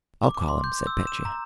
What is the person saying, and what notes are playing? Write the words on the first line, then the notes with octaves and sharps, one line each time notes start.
"I'll call him," said Petya.
D6
D6
C6
G6
E6
E7
A#5